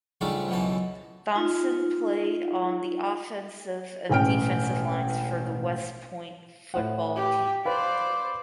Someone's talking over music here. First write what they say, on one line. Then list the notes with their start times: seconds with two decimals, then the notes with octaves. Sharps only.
Thompson played on the offensive and defensive lines for the West Point football team.
0.21 G#2 C#3 G3 A3 D4 F4
0.49 C#2 F#2 B2 E3 A4
1.35 D#4 F4
4.09 E1 A1 C#4 G5 F6 D7
6.74 A2 F#5
7.16 G4
7.65 B4 C5 D5 F5 B5